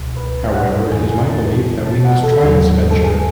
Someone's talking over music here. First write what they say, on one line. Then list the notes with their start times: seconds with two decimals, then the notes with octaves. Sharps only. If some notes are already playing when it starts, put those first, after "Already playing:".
However, it is my belief that we must try this venture.
Already playing: C#2 B2
0.17 B4
0.54 F#5
0.92 E2 C#3 E3 G#5
1.29 A5
1.86 A5
2.05 F#5
2.23 A4
2.42 D#2 C#3 F#3
2.91 A4
3.04 G#4